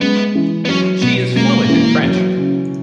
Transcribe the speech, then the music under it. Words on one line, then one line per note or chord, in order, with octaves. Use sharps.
She is fluent in French.
G#3 B3
E3
B3
F#3 C#4
B2 B3
G#3 A#3
E3
F#3
C#3